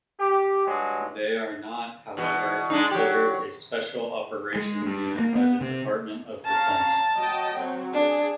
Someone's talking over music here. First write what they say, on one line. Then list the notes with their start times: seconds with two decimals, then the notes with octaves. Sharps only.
They are not, however, considered a special operations unit by the Department of Defense.
0.18 G4
0.65 G2 F#3 G#3
2.17 E2 B2
2.70 G#3 D4 D#4
2.91 F#3 G4
4.55 G#3
4.85 G2
5.19 A#3
5.35 B3
5.61 C3
6.45 C#4 F5 A5 A#5
7.17 F#3 D#5 G5
7.55 F#3 C4
7.93 D4 G#4